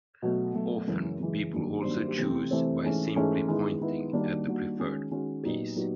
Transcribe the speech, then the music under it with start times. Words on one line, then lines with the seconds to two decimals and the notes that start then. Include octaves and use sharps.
Often people also choose by simply pointing at the preferred piece.
0.22 B2 F#3 A3
0.55 B2 F#3 A3
0.87 F#2 C#3 E3 G#3
1.20 F#2 C#3 E3 G#3
1.52 G2 D#3 F#3 A#3
1.85 G2 D#3 F#3 A#3
2.18 C3 E3 A3 C4
2.51 C3 E3 A3 C4
2.83 G#2 E3 A3 C#4
3.16 G#2 E3 A3 C#4
3.48 D#3 G#3 B3 E4
3.81 D#3 G#3 B3 E4
4.13 D#3 G3 A#3 D4 F#4
4.47 D#3 G3 A#3 D4 F#4
4.78 D#3 G#3 C#4 F#4
5.11 D#3 G#3 C#4 F#4
5.43 A#2 F#3 B3 D#4 G4
5.76 A#2 F#3 B3 D#4 G4